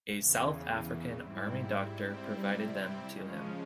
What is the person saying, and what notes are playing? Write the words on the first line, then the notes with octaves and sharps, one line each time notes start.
A South African Army doctor provided them to him.
E2 C#3 E3
G#2 G3 C4 E4
C3 G3 C4 E4
C#3 F3 G#3 C#4